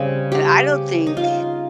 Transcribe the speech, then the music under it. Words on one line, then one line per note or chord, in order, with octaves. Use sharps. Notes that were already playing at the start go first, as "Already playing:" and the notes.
and I don't think
Already playing: C#3 G3 C4
G4
D#4
F4